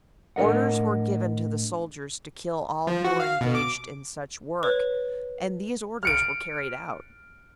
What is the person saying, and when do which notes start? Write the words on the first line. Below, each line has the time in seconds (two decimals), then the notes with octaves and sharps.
Orders were given to the soldiers to kill all who were engaged in such work, and these orders were carried out.
0.36 A2 D4 A#4 D#5 F#5
2.87 F3
3.05 F#4
3.20 F5
3.41 B2
3.55 D6
4.63 B4 C#5
6.03 F6 C#7 D7